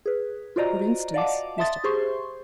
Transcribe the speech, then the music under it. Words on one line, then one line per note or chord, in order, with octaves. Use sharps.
For instance--Mr.
G#4 B4
F4 F#4 C5 D5 D#5 A#5
D5 D#5 F5 F#5 A5 D6
E5 A5 C6 D#6 A6
G4 G#4 C5 C6 C#6